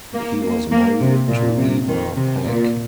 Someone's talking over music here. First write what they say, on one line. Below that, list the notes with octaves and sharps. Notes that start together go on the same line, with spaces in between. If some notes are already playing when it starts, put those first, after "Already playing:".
He was married to Ewa Pac.
A#3
A#3
A#3
C3
A#2
C3
D#3
C3
A#2